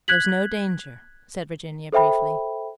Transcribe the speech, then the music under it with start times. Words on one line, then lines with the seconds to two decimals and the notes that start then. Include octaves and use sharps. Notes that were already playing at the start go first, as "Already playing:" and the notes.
"There's no danger," said Virginia briefly.
0.08 F#6 G#6 B6 F#7
1.93 A4 C5 E5 G5 B5